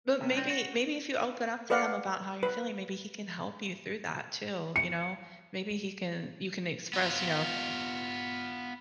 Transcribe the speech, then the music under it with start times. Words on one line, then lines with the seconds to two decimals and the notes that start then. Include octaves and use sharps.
but, maybe maybe if you open up to him about how you're feeling, maybe he can help you through that, too, you know? Maybe he can you can express, you know,
0.20 C3
0.33 C2 C4
0.50 F#4
1.70 A4 B4 D5 F5 F#5
2.43 B4
4.76 C#7
6.93 B3 F4